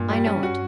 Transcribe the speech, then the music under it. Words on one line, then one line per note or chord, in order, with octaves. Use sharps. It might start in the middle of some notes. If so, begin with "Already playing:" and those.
I know it.
Already playing: G2 A#2
G3
C#4
F#4